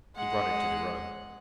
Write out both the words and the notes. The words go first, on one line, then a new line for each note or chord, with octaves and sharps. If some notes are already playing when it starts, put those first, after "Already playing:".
He brought it to the rug.
G#3 F#5